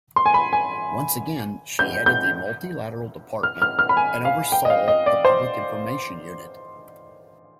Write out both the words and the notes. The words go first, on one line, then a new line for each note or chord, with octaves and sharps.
Once again, she headed the multilateral department and oversaw the Public Information Unit.
C6
G#5
B5
G#5
G6
G6
F6
F6
F6
B5
G#5
F5
G5
D#5
F5
D#5
D5
C5